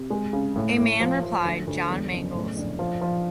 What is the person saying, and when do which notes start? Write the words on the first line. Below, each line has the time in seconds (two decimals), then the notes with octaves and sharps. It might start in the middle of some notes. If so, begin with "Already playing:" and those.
A man,” replied John Mangles.
Already playing: C3
0.10 G#3
0.33 C#3
0.56 A2
0.78 A2
1.00 F3
1.23 F3
1.45 D2
1.67 D2
1.90 E2
2.13 F#1
2.34 A2
2.57 A#1
2.79 F3
3.01 F3